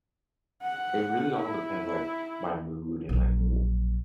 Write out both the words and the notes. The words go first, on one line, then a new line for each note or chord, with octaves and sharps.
it really all depends, like, my mood and, like w
F#5
E4
A#1 F#3